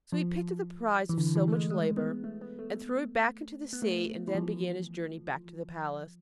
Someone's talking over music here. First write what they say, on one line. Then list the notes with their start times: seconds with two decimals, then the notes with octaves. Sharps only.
So he picked up the prize of so much labour, and threw it back into the sea, and then began his journey back to the palace.
0.12 F3
1.09 E3
1.18 D3
1.36 E3
1.48 A3
1.53 G#3
1.70 G#3
1.97 B3
2.24 A3
2.41 B3
2.59 A3
3.73 B3
3.82 A3
4.28 E3
4.35 F3